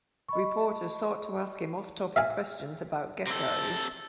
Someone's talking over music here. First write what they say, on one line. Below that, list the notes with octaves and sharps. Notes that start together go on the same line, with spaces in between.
Reporters sought to ask him off-topic questions about Gekko.
D#5 B5 C#6
E5 F5 G#5
C3 A4